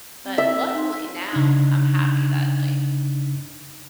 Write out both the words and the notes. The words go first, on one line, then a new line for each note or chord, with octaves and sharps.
But luckily now I'm happy that, like,
C4
E5
D#4 C6
C#3 D4 D#4